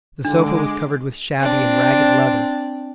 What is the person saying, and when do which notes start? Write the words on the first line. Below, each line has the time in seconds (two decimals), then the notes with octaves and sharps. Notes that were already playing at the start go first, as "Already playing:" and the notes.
The sofa was covered with shabby and ragged leather.
0.25 D3 G#3 D4 D6
1.39 C4 D4